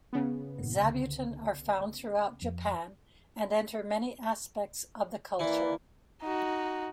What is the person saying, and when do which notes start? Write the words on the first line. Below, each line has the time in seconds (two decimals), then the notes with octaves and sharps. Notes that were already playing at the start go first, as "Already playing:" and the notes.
Zabuton are found throughout Japan and enter many aspects of the culture.
0.13 C#3 B3
0.58 G1 A#2
0.81 C#2 D3
2.42 F2
5.39 E3 A#3 B4 D5
6.22 D#4 F#4